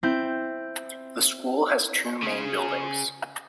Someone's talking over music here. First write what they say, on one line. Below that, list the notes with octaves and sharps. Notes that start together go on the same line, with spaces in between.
The School has two main buildings.
C4 E4 G6
C#3 G#4